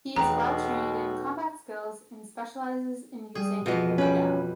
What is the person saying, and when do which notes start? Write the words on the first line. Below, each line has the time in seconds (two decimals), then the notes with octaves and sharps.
He is well-trained in combat skills and specialises in using the pudao.
0.16 B1 E2 B2 A3 F#4 G#4 G5 A#5
3.35 G3 G#4
3.66 F2 B2 E3 F4 D#5
3.98 G3 C#4 B4